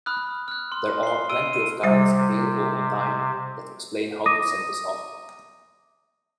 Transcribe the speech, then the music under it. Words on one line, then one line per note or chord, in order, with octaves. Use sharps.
There are plenty of guides available online that explain how to set this up.
B5 D#6 F6 F#6
F6 F#6
C6
C7 G7
E6 D7 D#7
D#7
C3 G3 C5
D6 D#6 A#6 D#7